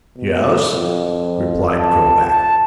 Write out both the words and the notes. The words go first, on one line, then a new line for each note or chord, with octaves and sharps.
"Yes," replied Krovac.
B2
F2
A5
A5